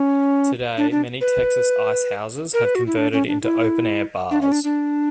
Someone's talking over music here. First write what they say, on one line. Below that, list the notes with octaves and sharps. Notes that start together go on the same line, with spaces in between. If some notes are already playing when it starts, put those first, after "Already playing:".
Today many Texas ice houses have converted into open-air bars.
Already playing: C#4
D4
D4
B4
A#4
B4
F#4
E4
D4
C#4
D4
E4
D4
C#4
D4
D4